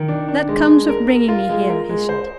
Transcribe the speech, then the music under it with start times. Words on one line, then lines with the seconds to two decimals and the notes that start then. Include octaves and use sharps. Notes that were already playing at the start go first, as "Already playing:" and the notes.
"That comes of bringing me here," he said.
Already playing: D#3
0.08 D4
0.28 D4
0.49 G#3
0.69 G#3
0.89 A#4
1.09 A#4
1.28 F4
1.49 G#3
1.69 A#4
1.89 G#3
2.09 C5